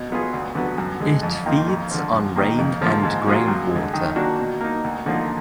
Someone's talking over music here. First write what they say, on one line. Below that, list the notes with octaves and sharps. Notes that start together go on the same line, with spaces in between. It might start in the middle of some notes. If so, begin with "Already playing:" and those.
It feeds on rain and groundwater.
Already playing: B2
F#3 B3 F4 G#4
D2
D3 F#3 B3
F#2
D3 G#3
F2
D#3 A#3 F4
F2
D3 F3
F#2
D#3 A#3
F2
D3 F3 A#3
G#2
F#3 A#3 F4 G#4
F#2
G#3
D3
D#3
A#3 D4 F#4
B2
A#3 D#4
D2
D3 F3 A#3 D#4